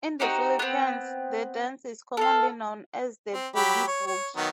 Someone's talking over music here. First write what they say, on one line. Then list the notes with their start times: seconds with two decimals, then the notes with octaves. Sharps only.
In the Philippines, the dance is commonly known as the "Boogie Boogie".
0.20 C4 D#4 F#4 G4
0.59 B3 C4
2.17 A4 F5
3.34 C4
3.56 F#3 G4 B5
3.88 C#5
4.07 C#5
4.36 D#3 F#3 B3